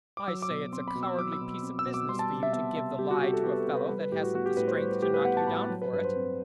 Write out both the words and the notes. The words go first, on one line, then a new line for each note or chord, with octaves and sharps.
"I say it's a cowardly piece of business for you to give the lie to a fellow that hasn't the strength to knock you down for it."
D6
F#3 E6
D6
B2
C4 C6
B5
B2
E6
F#3 D6
E6
B2
C4
E6
B2
D6
G3 C6
A5
C3
E5
B3 E5
C3 E5
G3 G4
F#4
C3 G4
A4
B3 G4
B4
A4
C3
B4
G3 B4
B4
A2 G4
F#4
B3 F#4
G4
A2 B4
C5
G3
B4
A2 G4
B4
B3 F#5
A5
A2 B5
F#3
B4
G2 B4
C5
C4